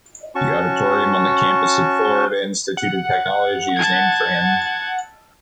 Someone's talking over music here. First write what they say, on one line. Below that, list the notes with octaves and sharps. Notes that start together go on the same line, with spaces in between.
The auditorium on the campus of Florida Institute of Technology is named for him.
C#4 F#4 A5 C#6
F#5
A5 G#6